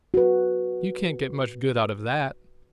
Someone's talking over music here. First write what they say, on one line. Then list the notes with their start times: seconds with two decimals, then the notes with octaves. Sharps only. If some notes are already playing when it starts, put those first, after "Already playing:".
"You can't get much good out of that."
0.14 F#4 B4